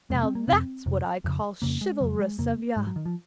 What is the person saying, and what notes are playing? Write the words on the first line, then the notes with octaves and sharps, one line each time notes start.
Now that's what I call chivalrous of yah.
F2 C3 G#3
C4
A#3
F2 C3 C4
F2 C3
F2 C#3
F2 C#3 A#3
G#3
F2 C#3 F#3
G#3
F2 C#3 A#3
G#2 G#3
F#3
D#3
F3